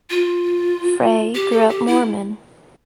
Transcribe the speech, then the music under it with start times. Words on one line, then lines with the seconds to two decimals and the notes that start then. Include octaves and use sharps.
Frey grew up Mormon.
0.10 F4
1.35 G4
1.51 A4
1.69 G4
1.87 E4